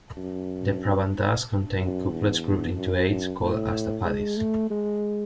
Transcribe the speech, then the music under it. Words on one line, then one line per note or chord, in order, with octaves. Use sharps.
The Prabandhas contain couplets grouped into eights, called ashtapadis.
F#2
F#2
E2
F#2
A2
G#3
A3
G#3